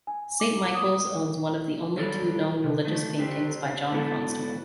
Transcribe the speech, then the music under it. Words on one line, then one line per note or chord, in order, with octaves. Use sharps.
Saint Michael's owns one of only two known religious paintings by John Constable.
G#5
D6
D#6
D#3 F#3 G3 D4 A4 D5
C3
D#3 A3
C4 D4 G4
G#2 B3 E4 F#4 A4 D5